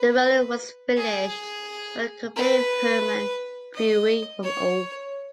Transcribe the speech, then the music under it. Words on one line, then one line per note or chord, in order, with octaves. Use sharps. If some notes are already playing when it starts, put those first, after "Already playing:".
The railing was finished by the company Hermann Vieweg from Aue.
Already playing: B4
G#4
B4
D#5
C#5